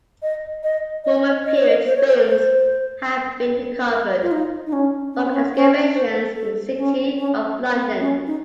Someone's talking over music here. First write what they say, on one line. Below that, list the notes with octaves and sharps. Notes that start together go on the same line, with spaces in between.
Roman period spoons have been recovered from excavations in the City of London.
D#5
D#5
D#5
D#5
C#5
D#5
C5
C#5
C5
A#4
C5
A#4
F4
D#4
D#4
C#4
C#4
C4
C#4
C#4
C5
A4
C#4
C#4
C4
C#4
D#4